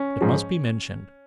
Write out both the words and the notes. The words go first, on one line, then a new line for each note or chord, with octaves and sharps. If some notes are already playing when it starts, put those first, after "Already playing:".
'It must be mentioned.
Already playing: C#4
G#2 F3